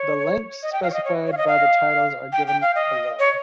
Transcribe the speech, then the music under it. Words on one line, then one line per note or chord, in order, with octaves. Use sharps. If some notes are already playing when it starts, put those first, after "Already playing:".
The lengths specified by the titles are given below.
Already playing: C#5
D#5
G5
F5
C#5
D#5
C#5
C#5
F5
D#5
F5
G5
G5
F5
D#5
C#5